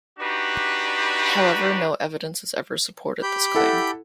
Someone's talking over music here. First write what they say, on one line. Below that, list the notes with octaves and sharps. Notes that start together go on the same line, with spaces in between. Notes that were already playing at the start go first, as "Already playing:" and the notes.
However, no evidence has ever supported this claim.
D4 D#4 F#4 G4 B4
G4 B5 G6
E4 A4 F#5